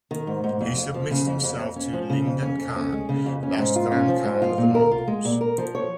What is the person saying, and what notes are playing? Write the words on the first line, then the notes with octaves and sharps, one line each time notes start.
He submitted himself to Ligdan Khan, last grand khan of the Mongols.
D#3
G#2
G#2
F2
F2
F3
C#3
F2
F2
F2
C#4
F3
C#3
F2
C#4
F2
C#4
G#3
C#3
F2
C#4
G#2
F4
C#4
F3
G#2
F4
A#2
A#4
F4
G#3
A#2
A#4
F3
C#5